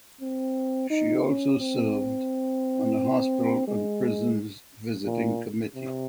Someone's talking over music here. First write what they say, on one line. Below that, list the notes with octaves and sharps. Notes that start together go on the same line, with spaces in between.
She also served on the Hospital and Prisons Visiting Committee.
C4
D#4
C#4
C4
G#3
A#2
C3